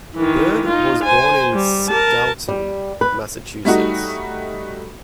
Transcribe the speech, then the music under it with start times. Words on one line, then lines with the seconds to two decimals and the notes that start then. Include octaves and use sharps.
Bird was born in Stoughton, Massachusetts.
0.15 D#3 E3
0.67 D#4 F4
1.04 C5 G#5
1.53 G3
1.89 A#4 A5
2.49 G3
3.01 B4
3.65 G3 A3 D#4 F#4